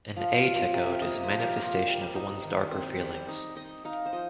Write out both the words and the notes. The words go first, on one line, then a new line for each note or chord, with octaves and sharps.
An A-Techode is a manifestation of one's darker feelings.
F3 F5
F5
F4
C3
F5
A#3 D#5
C5
F3
G4 A#4
F4
G3
D#4
D#3
C4 C5
G3
C5
D#4
D#4 D#5
D#4 F5
C5
F3 D#5